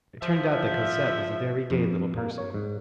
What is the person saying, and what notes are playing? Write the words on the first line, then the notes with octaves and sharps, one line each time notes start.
It turned out that Cosette was a very gay little person.
F3 E5
F2
A#3
C#5
G#2